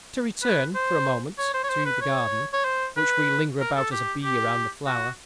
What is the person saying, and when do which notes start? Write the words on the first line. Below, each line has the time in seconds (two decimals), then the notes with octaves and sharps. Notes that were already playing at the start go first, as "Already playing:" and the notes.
To return, for a moment, to the garden, which we linger about as a bee around a flower.
0.42 B4
0.74 C5
1.38 C#5
1.54 C5
1.63 C#5
1.70 C5
1.85 B4
2.01 C#5
2.53 C#5
2.65 C5
2.97 B4
3.60 A#4
3.76 A4
3.92 G4
4.24 G4
4.87 F#4